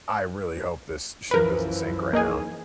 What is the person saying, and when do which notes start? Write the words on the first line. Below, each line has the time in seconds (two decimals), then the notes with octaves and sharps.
"I really hope this ship doesn't sink right now."
1.31 F#2 E3 F3 A#4 B4
2.13 A#3 D#4 G#4